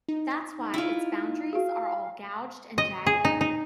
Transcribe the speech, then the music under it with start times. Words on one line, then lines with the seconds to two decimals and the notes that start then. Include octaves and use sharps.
That's why its boundaries are all gouged and jagged.
0.08 D#4
0.74 E4 F4
1.53 F#4 G#4 F5
2.78 D#5
3.06 G#4
3.25 D#4
3.41 D#4